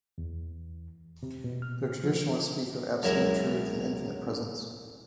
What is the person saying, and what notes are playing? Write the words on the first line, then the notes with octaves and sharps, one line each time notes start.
The Traditionalists speak of "absolute Truth and infinite Presence".
E2
C3
B2
F6
F3
C#2 F#2 F#3 E4 A#4 E5